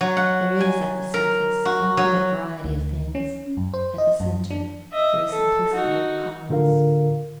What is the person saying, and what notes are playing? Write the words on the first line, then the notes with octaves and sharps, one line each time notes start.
There is, at the surface, infinite variety of things; at the centre there is simplicity of cause.
F#3
F#5
G#5
A#4
F#4
F#3
D2
C#4
F#2
C5
D#5
F#2
D4
D#5 E5
A4
D#4 F#4
A2 D3 F4 A#4 F5